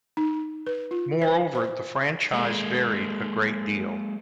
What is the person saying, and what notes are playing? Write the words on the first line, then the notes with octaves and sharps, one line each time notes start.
Moreover, the franchise varied a great deal.
D#4
B4
F4
C5
C5
G#3 A#3